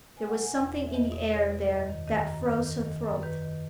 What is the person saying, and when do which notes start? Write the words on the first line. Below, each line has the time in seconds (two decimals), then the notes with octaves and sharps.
There was something in the air there that froze her throat.
0.17 B2 G#5
0.28 F#5
0.36 B2 G#5
0.56 E2
0.75 B2
0.87 E5
0.93 E2 D#5
1.12 B2
1.31 E2 C#5
1.50 B2
1.70 F#2 D#5
1.90 D#3
2.08 D#3 D#5
2.27 F#2
2.46 D#3
2.66 D#3
2.85 D#3
3.03 F#2
3.22 D#3 B4
3.42 D#3